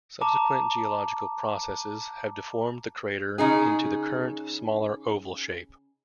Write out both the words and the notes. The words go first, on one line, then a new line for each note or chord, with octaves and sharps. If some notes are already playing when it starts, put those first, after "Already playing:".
Subsequent geological processes have deformed the crater into the current smaller oval shape.
A5 A#5 D6
C#3 D#4 G#4